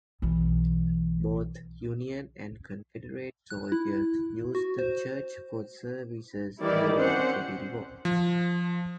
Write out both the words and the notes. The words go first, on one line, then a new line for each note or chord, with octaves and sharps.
Both Union and Confederate soldiers used the church for services during the Civil War.
B1 E3
F#6
E4
F#4
C5
D#3 E3 G3 E4 D5
C4 C#4 C5 F#5
F3